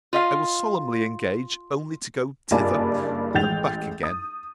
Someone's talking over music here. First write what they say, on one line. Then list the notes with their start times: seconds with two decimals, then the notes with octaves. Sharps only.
I will solemnly engage only to go thither, and back again.
0.13 F4 D#5 F5
2.51 F#1 G2 F4 D5 G#5 A5
3.34 A1 G#3 G5 G6 A6 F7
4.03 D#6